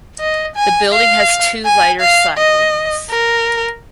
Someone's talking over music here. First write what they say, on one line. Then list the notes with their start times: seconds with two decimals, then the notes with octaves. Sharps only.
The building has two lighter side wings.
0.20 D#5
0.56 G#5
0.92 F5
1.65 G#5
2.01 F5
2.38 D#5
3.10 A#4